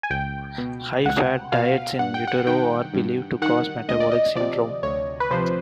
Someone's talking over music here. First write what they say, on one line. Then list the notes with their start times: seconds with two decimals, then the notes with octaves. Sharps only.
High fat diets in utero are believed to cause metabolic syndrome.
0.03 G#5
0.10 C#2 G5
0.58 B2
1.05 C#2 F#5
1.52 B2 F5
1.99 G2 F#5
2.14 G5
2.27 F#5
2.47 D#3 G5
2.94 G2
3.42 D#3 F#5
3.88 D2 D#5
4.00 D5
4.12 D#5
4.35 C3 F3 D5
4.83 D2 C#5
5.20 B4
5.30 C3 F3 C5